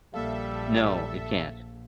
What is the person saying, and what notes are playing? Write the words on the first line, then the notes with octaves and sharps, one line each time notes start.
No, it can't.
A#1 G3 A#3 A4 E5 F5